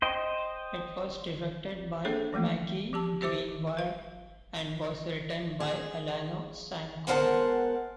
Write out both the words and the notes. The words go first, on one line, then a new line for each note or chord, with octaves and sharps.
It was directed by Maggie Greenwald and was written by Alana Sanko.
C5 D#5 G5
A#3 D4 G#4 A4 C5
E3 F3 A3 A#3
F3 G4 A5
G4 C5 E5 D6
B4 F5
G#4
G#3 B3 A#4 C5 F#5 A5